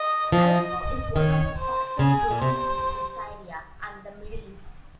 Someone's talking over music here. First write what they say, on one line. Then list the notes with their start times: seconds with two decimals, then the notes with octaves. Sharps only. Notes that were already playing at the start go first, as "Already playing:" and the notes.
Aleppo is one of the fastest-growing cities in Syria and the Middle East.
Already playing: D#5
0.32 F3 D#5
1.16 D#3 C#5
1.58 C5
1.99 C#3 G#4
2.31 A#2
2.42 C3 C5